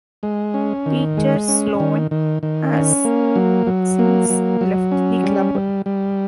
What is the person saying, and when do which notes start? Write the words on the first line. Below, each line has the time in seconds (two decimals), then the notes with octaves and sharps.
Peter Sloane has since left the club.
0.23 G#3
0.54 C#4
0.86 D#3
1.17 G#3
1.48 C#4
1.80 D#3
2.11 D#3
2.43 D#3
2.73 C#4
3.05 A#3
3.36 F#3
3.67 F#3
3.99 A#3
4.30 F#3
4.61 F#3
4.92 C#4
5.23 G3
5.55 G3
5.86 G3